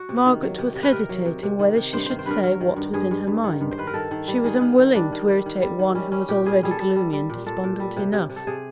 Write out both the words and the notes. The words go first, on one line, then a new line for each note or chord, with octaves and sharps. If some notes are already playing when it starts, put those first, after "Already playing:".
Margaret was hesitating whether she should say what was in her mind; she was unwilling to irritate one who was already gloomy and despondent enough.
Already playing: F#4
C3
D#3
F#3
C3
C3
B4
C3 A#4
F#3
C3
C3
D#3
C3
G2 C5
D#3 C5
C5
G2 A#4 B4
F#3 A#4
D#3
G2
G2 G#4
G2
G2
D#3
G2
C5
D#3 B4
A#4
D#3 A4
D#3
G3
D#3 G#4
D#3
D#3
G3 D4
D#3
G3
D#3
G3
D#3
G3 C#4
G3 C#4
A#2 G4
G3 G#4
G3 G#4
A4
G3
G3
G3
A#2
A#2 A4
A#2
G3
C3
C3
C3
A4
C3 G#4